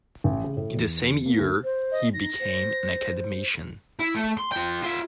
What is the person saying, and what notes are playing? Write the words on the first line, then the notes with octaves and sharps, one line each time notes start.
In the same year he became an Academician.
A1
C#3
A2
E2
A#3
D2
C5
D#5
D#4 A#6
C5
E4
A3
C6
F4 G5
F4 E5